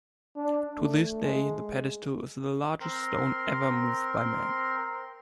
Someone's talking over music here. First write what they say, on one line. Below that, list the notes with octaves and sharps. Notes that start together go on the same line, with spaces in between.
To this day the pedestal is the largest stone ever moved by man.
D4
A3
G#3
C4 A#4 C6